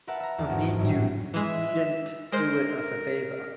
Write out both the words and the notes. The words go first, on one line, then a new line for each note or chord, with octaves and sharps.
I mean you needn't do it as a favor.
A#4 B4 E5 F#5 A5
E5 A#5
E2 A5
G#1 F#4
F#2 A2 G3
E3 G#3 E5
G#3 A#4 C5